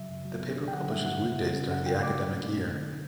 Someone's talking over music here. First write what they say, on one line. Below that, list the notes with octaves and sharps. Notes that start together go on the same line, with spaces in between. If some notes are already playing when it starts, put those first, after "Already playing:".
The paper publishes weekdays during the academic year.
Already playing: C#3 F#3 E5
F#2
F#3
B3
D4
G5
D3 F#5
G3 E5
F#2 F#5
C#3
G3
C#4
C#3 F#5
F#3 G5
A3 D6
A3
C#4
B2
D3
A3